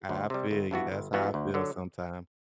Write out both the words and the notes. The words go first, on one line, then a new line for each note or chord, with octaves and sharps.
I feel you, that's how I feel sometimes.
D2
C3 G3
G1
G2 E3 B3 F#4
G1
G2 E3 B3 F#4
D2
D3 F#3